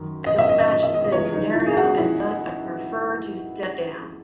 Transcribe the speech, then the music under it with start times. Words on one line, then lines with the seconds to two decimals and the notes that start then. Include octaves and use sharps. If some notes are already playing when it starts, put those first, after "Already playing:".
I don't match this scenario and thus I prefer to step down.
Already playing: F#2 D#3
0.27 D#5
0.38 E5
0.49 D#5
0.60 E5
0.71 D#5
0.83 E5
0.94 D#5
1.04 D#5
1.12 C#2 C#3 E3 C#5
1.34 D#4
1.55 E4
1.66 G#4
1.77 F#4
1.98 E4